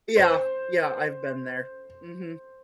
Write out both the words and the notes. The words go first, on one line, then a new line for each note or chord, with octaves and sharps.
Yeah, yeah, I've been there. Mhm.
C5